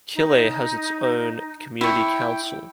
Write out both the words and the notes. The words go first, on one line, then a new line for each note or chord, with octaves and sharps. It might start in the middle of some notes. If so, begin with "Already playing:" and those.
Killay has its own community council.
D#4
E4 G5 C#6